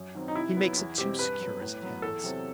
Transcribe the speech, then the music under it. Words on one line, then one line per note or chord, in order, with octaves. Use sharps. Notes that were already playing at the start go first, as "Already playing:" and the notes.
He makes it too secure, as it happens.
Already playing: F#2
D#3 F#3 C4
D#4
C3 E4
F#3 B3
E2 E4
B2 G3 C4 G4
G2 B4
F#3 B3
A2
F#3 B3
E2 A4
C3 F#3 C4